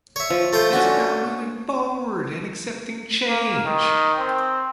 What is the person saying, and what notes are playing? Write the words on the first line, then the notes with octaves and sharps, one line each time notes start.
It’s about moving forward and accepting change.
C#5 E5
F3
A3 F4 C5
C#4 D4 F#4
A#3
D#3
C4